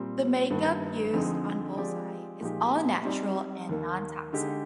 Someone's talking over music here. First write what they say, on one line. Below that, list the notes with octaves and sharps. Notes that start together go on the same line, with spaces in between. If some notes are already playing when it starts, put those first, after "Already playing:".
The makeup used on Bullseye is all natural and non-toxic.
Already playing: A#2 G3 C4
G2 D#3 A#3
F2 D3 G#3 C4 D#4
F3 G#3 C4 G4 D5
A#2 F3 G#3 D#4 G4
G3 C4 D#4 G4 D5
D#2 D#3 A#3
D3 G#3 D#4 G4